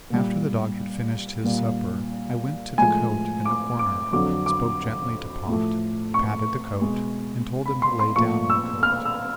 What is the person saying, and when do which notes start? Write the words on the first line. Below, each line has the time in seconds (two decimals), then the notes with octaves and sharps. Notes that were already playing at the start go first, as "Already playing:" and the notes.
After the dog had finished his supper I went to the coat in the corner, spoke gently to Pont, patted the coat, and told him to lay down on the coat.
0.10 A#2 G3
1.44 A#2 G3
2.78 A2 F3 G#3 G#5
3.45 D6
3.79 D6
4.12 F2 D3 F#3 D6
4.46 D6
5.47 A2 F3 A3
6.14 C#6
6.81 B2 G#3
7.66 B5
7.82 C6
7.99 C6
8.16 A#2 F3 A3 C#6
8.50 E6
8.83 F6
9.05 E6